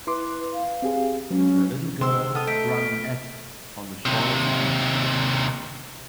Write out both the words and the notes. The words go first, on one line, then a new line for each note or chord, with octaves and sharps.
A little girl running at on the shore of a beach.
E4 B4 C6 D6
F5
C4 G4 G#4
F#3 G#3 C#4 B4
D3 D#3 G#3 C4 C6 E6
B3 A4 D#6 F6
A3 D#4 B6 D7
D#2 C3